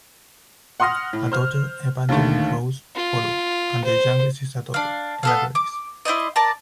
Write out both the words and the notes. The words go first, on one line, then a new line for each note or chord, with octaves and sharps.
A daughter, Evangeline Rose, followed, and their youngest is a daughter, Ella Grace.
F#5 C6 D#6 F6 A#6
A2
C5 F6
D#2 D3 D#3 A3
F4
C5
D4 F5
B3 A4 F5
D6
E4 C5 D5 D#5
A#4 D5 A5